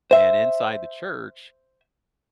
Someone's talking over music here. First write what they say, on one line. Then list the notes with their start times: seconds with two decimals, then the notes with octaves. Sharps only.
and inside the church,
0.11 C5 E5